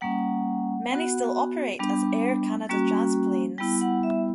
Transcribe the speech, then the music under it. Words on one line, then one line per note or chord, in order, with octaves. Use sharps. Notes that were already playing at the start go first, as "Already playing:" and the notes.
Many still operate as Air Canada Jazz planes.
G3 A#3 C#4 F#5
B3 F#4
G3 B3 D4
G3 A#3 C#4 F#4
G3 B3 E4 G5
F#5
E5